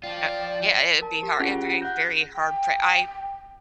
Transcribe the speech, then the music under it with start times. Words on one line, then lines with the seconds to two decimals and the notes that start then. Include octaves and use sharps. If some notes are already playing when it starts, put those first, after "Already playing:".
Uh, yeah. I I it'd be hard. It'd be very hard for I,
0.03 F3 F4 D5 G5
1.01 A#4 A5
1.23 G4
1.40 C#4 F4 G#4 F#5 G#5
1.81 F#5 F#6 G6 A#6
2.35 G5